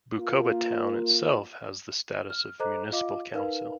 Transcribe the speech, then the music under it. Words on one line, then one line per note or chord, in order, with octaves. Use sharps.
Bukoba Town itself has the status of a municipal Council.
A#3 F4
F6
A4 C5 D#5 A#5 D6 F#6
F4 D#5 F5 D6
D#4 A#4 B4 F5